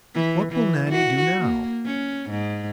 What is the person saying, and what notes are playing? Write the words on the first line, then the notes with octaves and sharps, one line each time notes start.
What will Nannie do now?
E3
E3
F#4
A#3
C#4
G#2